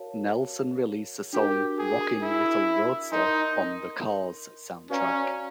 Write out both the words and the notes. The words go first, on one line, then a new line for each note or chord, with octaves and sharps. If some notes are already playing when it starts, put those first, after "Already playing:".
Nelson released the song "Rockin' Little Roadster" on the "Cars" soundtrack.
Already playing: F#4 A#4 C#5 F5 A5
D4 F#4 G4 A#4
G#4
E4
D#4 A#4 D#5 G#5 C6
C#4 F#4 B4 D5 F5 A#5